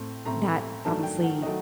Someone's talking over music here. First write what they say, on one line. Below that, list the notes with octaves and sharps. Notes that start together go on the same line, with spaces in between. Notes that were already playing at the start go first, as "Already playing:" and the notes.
that obviously,
Already playing: A2 A3 C4
A2 A3 C4 A#5
G2 D#3 F#3 A3 A5
G5
F#5
D#3 F#3 A3 D#5